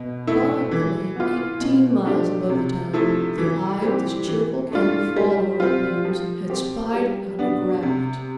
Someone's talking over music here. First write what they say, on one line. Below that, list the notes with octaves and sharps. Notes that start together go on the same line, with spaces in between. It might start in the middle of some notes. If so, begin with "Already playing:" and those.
Far up the lake--eighteen miles above the town--the eye of this cheerful camp-follower of booms had spied out a graft.
Already playing: B2
A3 E4
E3
B3 F4
B2
A3 D4 G4
C3
F3 A3 E4
E3
G3 C4 G4
E3
A3 D4 F4
G3
C4 F4
F3
C4 G4
G3
B3 D4
C3